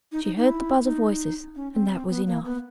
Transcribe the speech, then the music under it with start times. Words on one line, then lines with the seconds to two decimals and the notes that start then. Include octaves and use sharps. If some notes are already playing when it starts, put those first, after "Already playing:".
She heard the buzz of voices; and that was enough.
0.12 D#4
0.24 D#4
0.36 D#4
0.48 E4
0.84 D#4
1.55 C#4
1.73 C4
1.91 C4
2.09 B3
2.27 A#3
2.45 B3